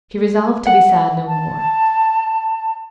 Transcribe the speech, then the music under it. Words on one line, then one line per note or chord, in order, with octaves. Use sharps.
She resolved to be sad no more.
F#5
A5